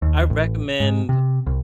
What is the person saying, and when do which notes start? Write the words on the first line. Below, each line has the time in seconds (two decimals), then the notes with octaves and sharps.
I recommend,
0.02 D#2
0.30 A1
0.80 G#2
1.09 C3
1.46 C2